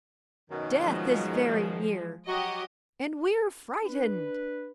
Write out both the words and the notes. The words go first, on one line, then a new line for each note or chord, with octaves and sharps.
'Death is very near, and we are frightened!'
F#2 B2 D#3
F3 G#3
F#3 F#4 G4 D#5
D4 B4